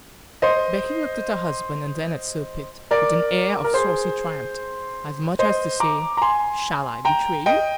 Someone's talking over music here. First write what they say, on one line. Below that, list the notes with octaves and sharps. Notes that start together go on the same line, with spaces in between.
Becky looked at her husband, and then at Sir Pitt, with an air of saucy triumph--as much as to say, "Shall I betray you?"
C5 D#5
A#4 D5
A#4
G#4 C5
C5 D#5
A#5 D6
A#5
G#5 C6
G5 A#5
D#5 G5